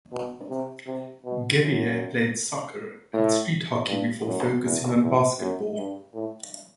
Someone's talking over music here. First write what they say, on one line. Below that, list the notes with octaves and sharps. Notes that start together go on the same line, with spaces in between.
Guerrier played soccer and street hockey before focusing on basketball.
B2
C3
C3
B2
F#2
A2
G2
F#2
E2
E2
F#2
G2
A2